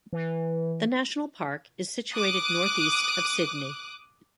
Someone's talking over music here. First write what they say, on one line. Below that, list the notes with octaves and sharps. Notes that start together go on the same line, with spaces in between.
The national park is situated northeast of Sydney.
E3
D6 D#6 F#6